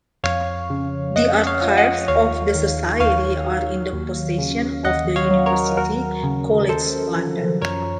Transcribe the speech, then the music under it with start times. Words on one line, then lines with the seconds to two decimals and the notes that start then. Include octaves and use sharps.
The archives of the Society are in the possession of the University College London.
0.23 F2 C#5 F5
0.70 C#3
1.16 F2 D#5 F#5
1.47 C#5 F5
1.62 F3
1.77 D#5 F#5
2.08 D#2 C#5 F5
2.55 D#3
3.00 D#2 C#5 F5
3.47 F#3
3.93 D#2
4.38 C#3
4.85 D#2 D#5 F#5
5.16 C#5 F5
5.31 F#3
5.46 A#4 C#5
5.77 D#2 F#4 A#4
6.23 C#3
6.69 D#2 A4 C5
7.16 F3
7.62 F#2 A#4 C#5